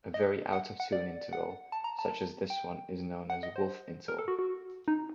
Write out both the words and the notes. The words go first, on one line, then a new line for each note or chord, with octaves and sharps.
A very out-of-tune interval such as this one is known as a "wolf interval".
D#5
F#5
F#5
D5
F#5
A5
A#5
A5
G5
F#5
D#5
C5
A#4
A4
F#4
F#4
D#4